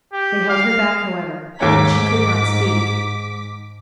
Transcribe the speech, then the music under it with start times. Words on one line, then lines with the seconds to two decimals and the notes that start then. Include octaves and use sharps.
They held her back, however, and she could not speak.
0.13 G4
0.49 F5
1.60 D#2 G#2 A3 C#4 D6 B6